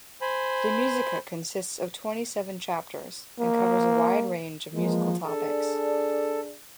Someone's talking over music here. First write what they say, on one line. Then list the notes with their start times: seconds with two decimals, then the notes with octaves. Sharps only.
"De musica" consists of twenty-seven chapters, and covers a wide range of musical topics.
0.22 C5 G#5 B5
3.39 A#3
4.73 E3 F3 G#3 A#3
5.24 D4 G#4 A4 D5